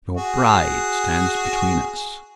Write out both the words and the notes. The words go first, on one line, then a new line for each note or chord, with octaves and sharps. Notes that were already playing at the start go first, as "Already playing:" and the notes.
"Your bride stands between us."
F#4 G#4